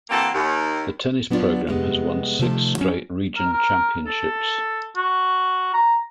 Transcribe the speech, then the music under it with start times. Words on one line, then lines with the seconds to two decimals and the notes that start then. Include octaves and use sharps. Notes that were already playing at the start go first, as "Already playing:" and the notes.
The tennis program has won six straight region championships.
0.10 E3 F#3 A#3 C4 A4
0.34 D#2
1.30 F#3 B3 D4 D#4 F4 D5
1.67 F2 C3 G3 G#3 B3
2.39 C3 D#3 F3 A3 A5
2.78 F#3 C#4
3.36 A#4
3.53 A#4
4.06 A4
4.96 F#4
5.74 A#5